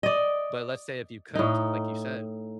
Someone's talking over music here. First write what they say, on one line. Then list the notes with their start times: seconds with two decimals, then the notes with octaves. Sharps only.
but let's say if you cooked like you said,
0.03 D5 D#5
1.35 A2 D#4